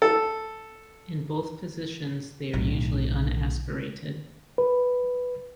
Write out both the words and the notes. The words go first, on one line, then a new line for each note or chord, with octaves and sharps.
In both positions, they are usually unaspirated.
A4
B1 A2
B4